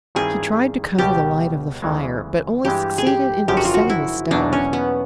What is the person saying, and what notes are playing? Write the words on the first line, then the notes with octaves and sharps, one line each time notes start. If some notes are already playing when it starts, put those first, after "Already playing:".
He tried to cover the light of the fire, but only succeeded in upsetting the stove.
G2 D#3 G3 C4 E4 G#4
C#2 B2 G3 B3 G4
D2 C#3 E3 G#3 B3
G2 E3 G#3 G4
G#4
G4
G#1 F#2 D3 F3 G4
F#4
F4
F#4
E4
E2 B2 F#3 A#3 D4 D#4
C#4
B3